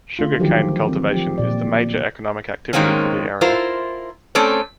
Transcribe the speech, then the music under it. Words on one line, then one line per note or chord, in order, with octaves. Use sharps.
Sugar cane cultivation is the major economic activity for the area.
D3 A3 F4
D#3 F3 F#3 G4
C4
F3 G4
A#2 D5
G#2 D#3 G#3 A#3 C4 C#4
E4 F4 A#4 C5
A3 C4 C#4 A4 D5